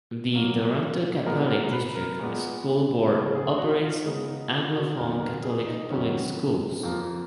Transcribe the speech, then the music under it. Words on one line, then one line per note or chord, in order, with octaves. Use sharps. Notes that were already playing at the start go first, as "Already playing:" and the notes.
The Toronto Catholic District School Board operates Anglophone Catholic public schools.
B2 F#3 A#3
A#2 G#3 B3 A#4
A#4
B4
A#4
A#2 G#3 B3
C#3 G#3 B3
G#4
F#4
F4
C#3 G#3 B3 D#4
D#4
F4
F#4
F2 D#3 F#3 B3 A#4
A#4
G#4
D#4
F2 D#3 F#3 B3 C#4
F2 F3 A#3